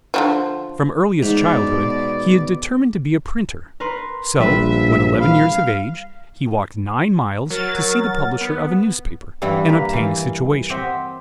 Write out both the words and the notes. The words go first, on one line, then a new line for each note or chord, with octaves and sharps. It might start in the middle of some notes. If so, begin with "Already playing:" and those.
From earliest childhood he had determined to be a printer; so, when eleven years of age, he walked nine miles to see the publisher of a newspaper, and obtain a situation.
D3 D#3 F3
G#2 B2 D5
A#4 B4 C6
A#1 G3 B4 E5
F5 B5
F#3 A#4 A6
B3
G2 E3 G3 E4
A#3 B4
E3 F5
C4 G4 C5 D#5 E5 F#5